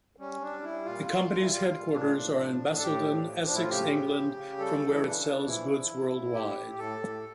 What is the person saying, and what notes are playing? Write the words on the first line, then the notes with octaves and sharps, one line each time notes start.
The company's headquarters are in Basildon, Essex, England, from where it sells goods worldwide.
G3 C#4
G3 D4
G3 E4
A#2 F4
A#2 F4
G3
E4
G3 F4
A#2
A2 D4
F3
A2
A2
A4
A2 G4
F3
F3
A2 D4
E4
F4
C#3 G4
C#3
C#3
C#3
G3 A4
E3
E4
C#3 D4
E3
F3 E4
F3
F3
A2
A2 G4
A2
A2 A4
A2